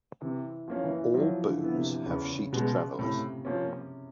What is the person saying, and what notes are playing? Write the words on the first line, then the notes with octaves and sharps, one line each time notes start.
All booms have sheet travelers.
C3 E3
F3 A#3 C#4
E3
F3 F#3
D3
B3 E4
C3
E2 C#3
B2 G#3
A2 C3
F3 A#3 C#4